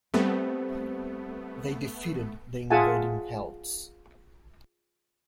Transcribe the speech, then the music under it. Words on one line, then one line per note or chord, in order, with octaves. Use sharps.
They defeated the invading Celts.
G3 A3 B3 C4
F4 G#4 E5 F#5 G#5 A5